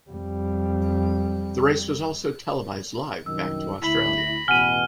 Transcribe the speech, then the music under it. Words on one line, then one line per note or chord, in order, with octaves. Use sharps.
The race was also televised live back to Australia.
F2 G3
C2 F#2 D#3 E6
D2 E4 B5
A#6
A1 E2 B2 F#5 G#5 F6 D#7